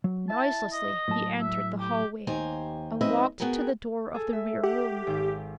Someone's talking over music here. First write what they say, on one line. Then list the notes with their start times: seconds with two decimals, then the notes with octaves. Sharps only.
Noiselessly he entered the hallway and walked to the door of the rear room.
0.04 F#3
0.29 E4 E5 A5
0.72 D#5
1.08 A2 F#3 A5
1.41 E5
1.80 G4
2.27 D#2 G4 C5 G#5 A#5
3.01 G#2 F3 C4 B4 D#5 E5
3.40 B3 F#4 G#4 A#4 G5
4.14 G#4 A4
4.33 E5
4.63 G4 F#5
5.07 G#1 G6